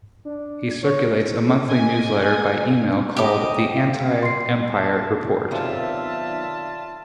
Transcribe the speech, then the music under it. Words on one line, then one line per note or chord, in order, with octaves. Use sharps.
He circulates a monthly newsletter by email called "The Anti-Empire Report".
D4
C#5
D#5 G#5
G4 D#5 D6
G3 C4 F5
G3 C6 C7
A5
B1 C3 D#3 F4 D5 E5 A5